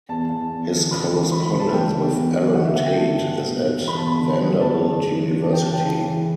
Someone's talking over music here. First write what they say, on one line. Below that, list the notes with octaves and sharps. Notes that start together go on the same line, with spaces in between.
His correspondence with Allen Tate is at Vanderbilt University.
E2 A5
E2
E2
D3
C#2 B5
E3
E3 B5
B5
C#2
A5
C#3 G5
E2
E2
E2
D3 F#5
E5
D3 F#5
G5
D3 A5
G2
B2
B2
E2
B5
E2 A5
B5
D3
D3
F#2 A5
D3
F#2
E3
E3 A5
G5
C#3 A5
G5
C#3
E3